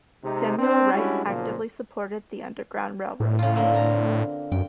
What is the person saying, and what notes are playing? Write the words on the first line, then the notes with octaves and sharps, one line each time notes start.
Samuel Wright, actively supported the Underground Railroad.
C3 G#3 D#4
C4 D4
G3 G#3 C#4 D4 E4 F#4
B1 A#2 C#3 F3
A2
C#3 F4
D3 A#3 C4
F4 A#5
F#2 G5